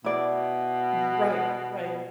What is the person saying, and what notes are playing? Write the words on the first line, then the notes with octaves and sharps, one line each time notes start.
Ye right, right.
B2 E4 D5